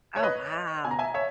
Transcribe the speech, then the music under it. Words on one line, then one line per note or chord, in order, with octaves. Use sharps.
Oh, wow.
C#5
B4 D#5
B2 G#5
A#5
E5 G#5
C#5 E5